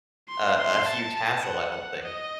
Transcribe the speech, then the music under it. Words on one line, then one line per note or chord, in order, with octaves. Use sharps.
a a huge hassle, I don't think.
C6
C6
A5
A5
F#5
D#5